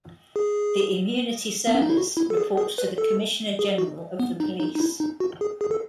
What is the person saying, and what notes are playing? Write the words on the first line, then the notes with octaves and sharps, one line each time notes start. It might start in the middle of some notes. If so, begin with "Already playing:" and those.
The Immunity Service reports to the Commissioner General of the Police.
G#4
B3
C#4
D#4
E4
F#4
E4
A4
G#4
G#4
B4
A4
G#4
F#4
B3
D#4
D#4
D#4
E4
D#4
F#4
G#4
G#4
A4